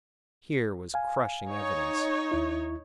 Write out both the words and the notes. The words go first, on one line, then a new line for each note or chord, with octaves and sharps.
Here was crushing evidence.
F5 G#5
D#4 C#5
D#2 E4